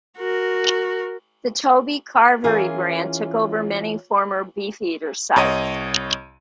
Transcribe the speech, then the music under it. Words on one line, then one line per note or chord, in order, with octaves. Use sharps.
The Toby Carvery brand took over many former Beefeater sites.
F#4 A#4
E3 C#4 F4 G#4 A#4
C2 C#5 D#5 D#7